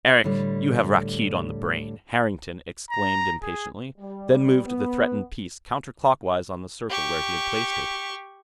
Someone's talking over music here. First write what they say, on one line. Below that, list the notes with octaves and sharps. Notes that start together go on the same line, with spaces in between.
"Eric, you have Rakkeed on the brain!" Harrington exclaimed impatiently, then moved the threatened piece counterclockwise on the circle where he had placed it.
A2 D3 G3
A#5
G#4
G3
B3
G4 C#6